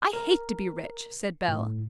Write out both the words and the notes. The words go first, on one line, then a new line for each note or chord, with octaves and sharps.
"I hate to be rich," said Bell.
A#4
A2